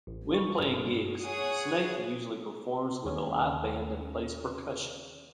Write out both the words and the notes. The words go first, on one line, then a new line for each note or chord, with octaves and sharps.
When playing gigs, Snaith usually performs with a live band and plays percussion.
A1
C#6
G2
G#4 C#5 F#5 D#6
D#2 C#4